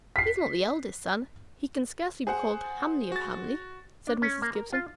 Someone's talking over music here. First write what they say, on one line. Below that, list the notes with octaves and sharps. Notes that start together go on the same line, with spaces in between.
"He's not the eldest son; he can scarcely be called Hamley of Hamley!" said Mrs. Gibson.
B6 C7
G#4 C5 F#5
F#4 A6
D4
C#4
A#3
A#4
F4